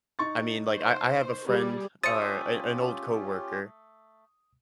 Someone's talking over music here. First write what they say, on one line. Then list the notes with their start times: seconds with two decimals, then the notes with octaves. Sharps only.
I mean, like, I I have a friend or an an old coworker,
0.19 D#4 C#6 A6
0.76 C5
1.47 G3 G#4
2.03 A3 C#4 F4 G4 C5 D#6 A6 C#7